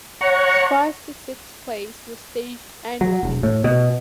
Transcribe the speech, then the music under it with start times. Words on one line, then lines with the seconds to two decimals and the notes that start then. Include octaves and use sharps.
Five to six plays were staged annually.
0.21 C#5 F#5 A#5 C#6
3.01 F#3
3.23 E1
3.43 A2
3.64 B2